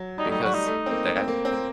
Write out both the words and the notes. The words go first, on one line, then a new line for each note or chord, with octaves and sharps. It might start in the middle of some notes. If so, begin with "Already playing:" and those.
because that
Already playing: F#3
G3 D#4
A3
G3 D#4
A3
G3 F#4
D#4
A3
C4
A#3
C4
A#3
C4
A#3